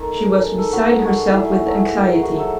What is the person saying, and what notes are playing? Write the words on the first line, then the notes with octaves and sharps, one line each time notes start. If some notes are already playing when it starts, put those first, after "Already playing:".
She was beside herself with anxiety.
Already playing: D#3 A4
G#3
D#3 A4
F#4
G#4
G#3
G#4
F#4
D#3 E4
F#4
F#3 A3
G#4
D#3 G#4
F#4
F#3 A3 A4